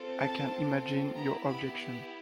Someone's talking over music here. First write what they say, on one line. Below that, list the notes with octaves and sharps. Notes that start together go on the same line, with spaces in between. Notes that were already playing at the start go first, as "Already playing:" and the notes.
I can imagine your objection.
Already playing: C4 F4 A4
A5
B3 E4 G4 A#5
B5